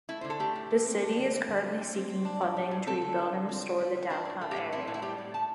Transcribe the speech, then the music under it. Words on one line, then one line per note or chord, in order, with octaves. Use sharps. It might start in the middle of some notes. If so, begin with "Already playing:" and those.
The city is currently seeking funding to rebuild and restore the downtown area.
A3 E4
D3 C5
A4
A3 G4
A2
E3
C4
D4
D3
A3
D3
E3
E3
C4
C4
D4
A2
G3
A2
C4 A4
D3
G3
D3
C4
D3
G3
D3
D4 C5
A2
A3
G4
A2
C4 E4
A2
E4
G3 G4
A2
A3 A5